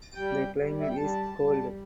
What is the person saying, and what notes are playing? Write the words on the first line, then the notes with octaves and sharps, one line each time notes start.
The climate is cold.
G3 G5
G3
E5
G5
G3 A5
G3